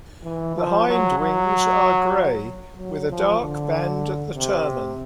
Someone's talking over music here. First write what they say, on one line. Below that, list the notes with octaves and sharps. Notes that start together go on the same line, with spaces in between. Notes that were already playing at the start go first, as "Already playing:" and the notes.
The hindwings are grey with a dark band at the termen.
E3
F3
F#3
F#3
F#3
F3
D3
C3